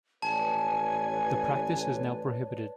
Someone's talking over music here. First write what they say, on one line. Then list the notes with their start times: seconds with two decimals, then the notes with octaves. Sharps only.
The practice is now prohibited.
0.22 A1 B4 C#5 D5 G#5 A5